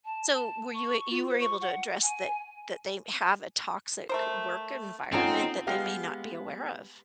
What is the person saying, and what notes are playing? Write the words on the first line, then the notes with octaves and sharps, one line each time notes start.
So, were you a you were able to address that that they have a toxic work environment, that they may not be aware of?
A5
A5
C#6
F4
C5
C#6
F#5
G#5
A3 A#4 C5
C4 C#4 D#4 F4 A4 C#5 F#5 A#5
G#3 B3 G4 F5